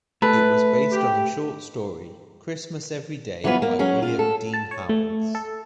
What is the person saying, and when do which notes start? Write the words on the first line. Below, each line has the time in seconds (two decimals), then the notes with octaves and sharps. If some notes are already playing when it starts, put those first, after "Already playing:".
It was based on a short story, "Christmas Every Day" by William Dean Howells.
0.22 A3 B4
0.92 G4
3.44 E3 F#3 G3 B3 F4 B4
3.62 A#3
3.79 F#3 C#4 G#4
4.02 F4
4.19 A4
4.53 A5
4.71 C#5
4.89 A3
5.35 A4